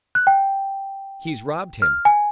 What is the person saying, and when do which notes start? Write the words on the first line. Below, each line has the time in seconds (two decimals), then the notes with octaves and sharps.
He's robbed him!
0.15 F#6
0.27 G5
1.82 F6
2.05 G#5